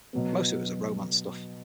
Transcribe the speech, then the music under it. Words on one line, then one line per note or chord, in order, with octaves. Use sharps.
Most of it was the romance stuff.
B2 F#3 B3